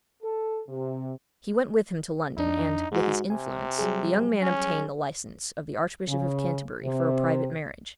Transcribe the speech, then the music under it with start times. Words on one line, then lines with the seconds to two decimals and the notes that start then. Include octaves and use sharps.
He went with him to London, and, with his influence, the young man obtained the license of the Archbishop of Canterbury for a private marriage.
0.23 A4
0.68 C3
2.38 F2 D4 D#4
2.92 G#2 G#3 F#4
3.30 C3 G#5
3.79 F#3 G3 G#4
4.42 C#4
6.07 C#3
6.83 C3